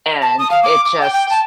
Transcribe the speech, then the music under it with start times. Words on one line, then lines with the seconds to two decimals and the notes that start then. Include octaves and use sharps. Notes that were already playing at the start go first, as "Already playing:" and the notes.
and it just
0.22 A5
0.39 D#6
0.51 F5
0.63 D6
0.85 D6
1.01 G5
1.14 G5
1.30 A5